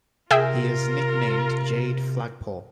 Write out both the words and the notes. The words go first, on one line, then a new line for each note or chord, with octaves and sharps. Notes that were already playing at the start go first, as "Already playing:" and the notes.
He is nicknamed "Jade Flagpole".
C3 F4 G#4 A#4 E5 G5